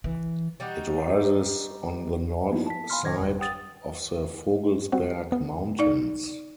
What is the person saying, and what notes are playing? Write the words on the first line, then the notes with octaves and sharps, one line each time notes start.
It rises on the north side of the Vogelsberg Mountains.
E3
G3 D#4 F#4 G4
F3 A#3 B3 D#4 E4 F#4
A5 B6
F5 G#5 B5 C6 F6
A2 D#3 C5 G#6 A#6
G1 F2 G3
F#5 G5 D#6 A6
G3 C4 F#4
B3
D#4 D5